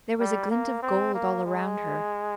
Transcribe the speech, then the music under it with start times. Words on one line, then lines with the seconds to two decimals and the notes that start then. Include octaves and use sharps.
There was a glint of gold all around her.
0.20 G3
0.51 A#3
0.83 C4
1.14 A#3
1.46 G#3